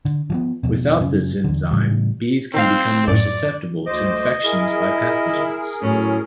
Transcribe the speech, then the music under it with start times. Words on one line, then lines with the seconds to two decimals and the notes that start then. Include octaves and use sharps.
Without this enzyme, bees can become more susceptible to infections by pathogens.
0.05 D3
0.30 F3 F#3 B3
0.63 E1 F2 B2
1.00 F#2 C#3
1.44 E2 D3
1.71 A2 C#3 E3 G3
2.54 D#3 C4 F5
3.08 F#2 A2 D5
3.86 D2 C5 D#5 D6
4.44 E4 G#4 A#4
5.82 A2 F#3 C#4